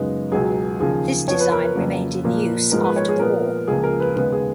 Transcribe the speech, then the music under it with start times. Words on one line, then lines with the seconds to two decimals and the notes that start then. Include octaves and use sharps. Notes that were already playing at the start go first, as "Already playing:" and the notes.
This design remained in use after the war.
Already playing: F#2 C#3 G#3 B3 D#4
0.31 C#2 B2 F#3 G#4
0.80 D#2 C#3 F3 G#4
1.27 F2 F3 B3 C#5
1.40 B4
1.52 A#4
1.64 B4
1.76 F2 C#3 F#3 A#3
2.24 A#2 F3 A#3
2.72 G#2 F3 G#3 B3 A#4
2.84 B4
2.96 C#5
3.09 G#4
3.20 A#2 F3 B3 A#4
3.68 C#2 C#3 F3 A#3 G#4
3.84 A#4
4.00 B4
4.16 D#2 C#3 G#3 B3 B4
4.32 G#4